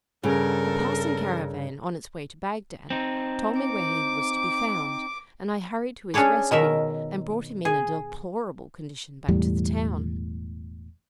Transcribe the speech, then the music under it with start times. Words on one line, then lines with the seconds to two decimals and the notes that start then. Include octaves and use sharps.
A passing caravan, on its way to Bagdad, told me where he was to be found, and I hurried to his rescue, and brought him in a deplorable condition back to the town.
0.23 G2 C#3 A4 A#4
2.90 C4 D#4
3.61 D6
6.14 C#4 D4 G#4 C#5 D5
6.51 B2 D#3 A#4 E5
7.65 G#4
9.28 E1 E2 A2 G3